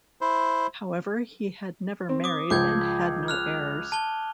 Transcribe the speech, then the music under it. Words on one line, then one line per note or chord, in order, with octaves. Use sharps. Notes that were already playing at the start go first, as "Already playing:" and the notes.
However he had never married and had no heirs.
E4 C5
C4
D6 D#6
C#2 F3 D6 G6 G#6
F6 F#6 F7
A5 G7